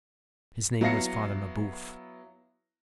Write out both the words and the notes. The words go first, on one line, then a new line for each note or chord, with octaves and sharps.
His name was Father Mabeuf.
F#3 B3 E4 F5 A#6 C#7